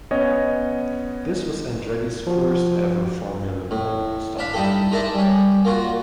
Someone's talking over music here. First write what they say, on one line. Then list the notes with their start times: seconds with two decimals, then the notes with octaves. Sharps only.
This was Andretti's first ever Formula One start.
0.11 B3 C#4 C#5 D#5
2.27 F3 F#4
3.71 A2
4.38 D4 F5 B5
4.54 G3 D#4 E4 G4 A4
4.91 G#3 D#4 A#4 D5 E5 A5
5.14 G3 C#4
5.65 A#3 F4 F#4